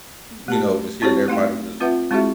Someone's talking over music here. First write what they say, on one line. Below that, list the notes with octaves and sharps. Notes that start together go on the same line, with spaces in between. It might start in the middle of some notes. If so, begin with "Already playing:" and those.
you know, just hearing everybody just
A3 G4 A5
C4 E4 F#4 G4 C5 C#5
A3 D#4 F5 G5
C4 F4 B4 E5 F#5
G#3 C4 E4 F#4 G#4 E5